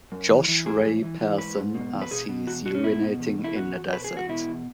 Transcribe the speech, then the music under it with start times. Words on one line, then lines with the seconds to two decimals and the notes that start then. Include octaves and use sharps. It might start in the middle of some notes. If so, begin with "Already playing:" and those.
Josh Ray Person as he is urinating in the desert.
0.12 F#2
0.30 E3
0.48 E3
0.66 G#2 G#4
0.85 E3
1.03 E3
1.20 E3
1.38 G#2 B4
1.57 G#2
1.75 B2
1.93 E2
2.02 B4
2.11 B2 G#4
2.29 B2
2.47 E2 F#4
2.66 B2 F#4
2.74 C#4
2.83 B2 E4
3.01 B2
3.19 E2
3.38 B2
3.44 E4
3.56 E2 F#4
3.74 E2
3.93 B2 B4
4.04 G#4
4.11 E2
4.17 F#4
4.28 B2 E4
4.48 E2